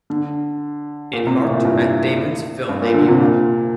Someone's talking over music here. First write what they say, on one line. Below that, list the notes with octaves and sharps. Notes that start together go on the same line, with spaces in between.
It marked Matt Damon's film debut.
D3
A#2
C3
A2
A#2
G2
G2
A#2
D3
C3
A#2